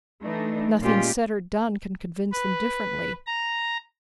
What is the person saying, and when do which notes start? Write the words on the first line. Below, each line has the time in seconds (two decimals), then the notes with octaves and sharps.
Nothing said or done can convince them differently.
0.21 E3 A3 D4 D#4
0.80 A#2 G#3 C#4 F4 G4
2.32 B4
3.26 A#5